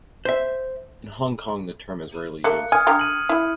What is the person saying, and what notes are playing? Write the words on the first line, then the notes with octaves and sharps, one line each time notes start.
In Hong Kong the term is rarely used.
C5 E5
A3 A#3 F#6 C#7
G#5 D#6 F6 G#6
D3 G4 A#5
D#7 F#7
E4